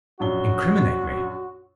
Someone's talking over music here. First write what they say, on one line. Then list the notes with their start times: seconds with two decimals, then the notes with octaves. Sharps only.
"Incriminate me?"
0.20 A#1 F#2 F#4 G7